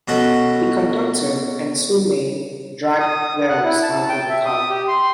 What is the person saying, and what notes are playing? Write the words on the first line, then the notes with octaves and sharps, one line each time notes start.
The conductor and two men dragged Wells out of the car.
B2 C#4 F#4 A4
D#6
F#5
E4
A5
G5
E5
D#6
G4
C6